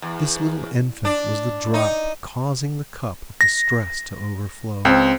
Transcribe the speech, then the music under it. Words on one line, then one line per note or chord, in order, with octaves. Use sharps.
This little infant was the drop causing the cup of distress to overflow.
E2
D4
D#4
A#6
C#2 C4